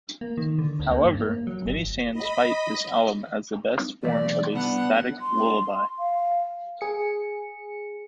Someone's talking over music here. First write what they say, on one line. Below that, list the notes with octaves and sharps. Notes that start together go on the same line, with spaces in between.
However, many fans cite this album as the best from A Static Lullaby.
A#3
D#3
D3
D2
A#3
G2
A#3
F#3
G1
D#5 B5
B1 E2 A3 D5
C2 B3 D4 F#5
C6
F5
G#4 C#7